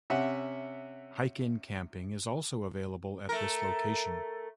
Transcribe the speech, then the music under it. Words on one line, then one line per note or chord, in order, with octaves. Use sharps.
Hike-in camping is also available at this location.
C3 C#4 E5 F#5
A3 A#4